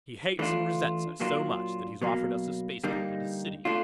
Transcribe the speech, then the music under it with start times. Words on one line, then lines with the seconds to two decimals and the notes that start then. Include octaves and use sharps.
"He hates and resents us so much that he's offered us a spaceport at his city...."
0.39 E3 A3 D4 F4
1.20 A#2 F#3 A#3 D4 F4
2.02 B2 F#3 A#3
2.84 D3 G3 A#3 D#4
3.65 A3 D4 F4